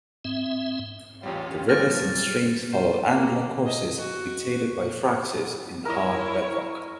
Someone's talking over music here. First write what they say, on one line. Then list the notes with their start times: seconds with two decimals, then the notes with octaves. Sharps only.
The rivers and streams follow angular courses dictated by fractures in the hard bedrock.
0.25 G#2 C4 E5
1.23 A1 E2 G3 C#4 F4 G4
1.69 D#2 C3 F3 G3 F6 A6 A#6
2.71 C5
3.08 A#3
3.65 D#5
3.99 F#4
5.85 E4 A#4 C#5 D#5